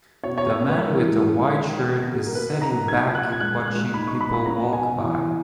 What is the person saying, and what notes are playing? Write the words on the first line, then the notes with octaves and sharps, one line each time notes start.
The man with a white shirt is setting back watching people walk by.
B2 C#5
C#5
B2
C#5
C#4
B4
G#3 A#4
E3
G#3
C#4
D#3
D#3
B2
B2
B2
A#4
A#3 B4
D#4
A#5
F#3
D#4 G#6
A#2
F#6
A#2
G#6
G#3 F#6
G#3
F#6
G#3
D#4 B5
D#4 C#6
B5
B3
B5
C#4 A#5
B2
G#5
B2
E3
E3